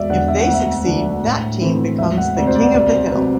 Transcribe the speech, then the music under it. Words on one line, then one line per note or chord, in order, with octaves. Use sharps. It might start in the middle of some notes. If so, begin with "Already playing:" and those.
If they succeed, that team becomes The King of the Hill.
Already playing: E1 D5 E5
E2 D3 F#5
E5
F#5
D2
E5
D3 A3 D4
A2
E3 A3 C4 E4
E1 E5
F#5
D2 C3 D5
C5
D5
C2 D5
C5
C3 F#3 C4 B4